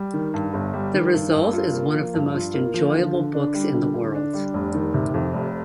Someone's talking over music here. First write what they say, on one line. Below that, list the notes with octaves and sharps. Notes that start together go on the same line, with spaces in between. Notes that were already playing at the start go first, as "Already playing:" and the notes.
The result is one of the most enjoyable books in the world.
Already playing: G3
D#3
G2
G1
G3
D#3
G2
G2
F4
A#3
F3
G2
F4
A#3
F3
D3
D3
D4
G3
D3
D3
D4
G3
F1
D#3
C3
F2
F1